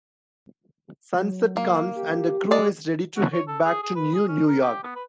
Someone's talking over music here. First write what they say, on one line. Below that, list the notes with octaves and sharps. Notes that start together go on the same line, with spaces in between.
Sunset comes, and the crew is ready to head back to New New York.
F#3
A#3
G4
G#3 D5
F#4
C#5
A4
G#4
G#4
B4
G#4
C#4
A#4
G4
B3
B4